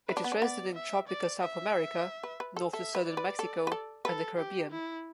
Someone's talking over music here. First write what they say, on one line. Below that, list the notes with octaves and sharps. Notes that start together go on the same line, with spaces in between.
It is resident in tropical South America north to southern Mexico and the Caribbean.
E4 B4
D4
B3
D4
B3 D5
E5
D5
E5
B4
B4
A4
A4 E5
B4
D5
B4
A4
B4
A4
A4 B4
G4
E4